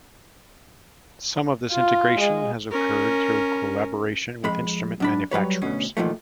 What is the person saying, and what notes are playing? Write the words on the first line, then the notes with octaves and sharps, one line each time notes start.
Some of this integration has occurred through collaboration with instrument manufacturers.
F4
G#3
C#4 A#4
F2 G#3 B5
F#2 D4 B5
F#3 G3 B4 C#5
D2 B2 C#4
E2 A#2 D#3 F3 A3